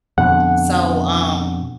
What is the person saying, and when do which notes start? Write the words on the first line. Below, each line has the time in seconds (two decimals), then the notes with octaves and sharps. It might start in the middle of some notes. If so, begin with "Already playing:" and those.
so, um,
0.18 F2 B2 D3 F#5